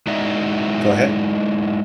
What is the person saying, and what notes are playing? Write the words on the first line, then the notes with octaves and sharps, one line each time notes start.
Go ahead.
G#3 D#4 E4 F#4 D5 E5